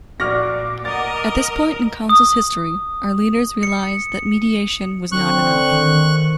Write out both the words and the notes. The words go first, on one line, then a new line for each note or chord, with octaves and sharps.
At this point in Council's history our leaders realized that mediation was not enough.
A#2 F#4 D5 D6 F6 A#6
A#4 D#5 F#5 A6
D#6
C#7
D3 C4 C#6 F#6
D#3